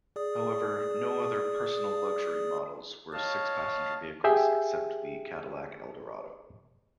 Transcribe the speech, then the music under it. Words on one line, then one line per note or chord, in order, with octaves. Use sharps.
However, no other "personal luxury" models were six-passenger vehicles, except the Cadillac Eldorado.
G#4 D5 D#6
C#5 D#5 F5 A5
G4 G#4 E5 G5 G#5